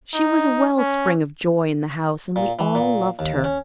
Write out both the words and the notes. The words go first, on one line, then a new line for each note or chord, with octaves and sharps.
She was a well-spring of joy in the house, and we all loved her.
D#4
C#4
A#2
E3
A#2
D#2
C#4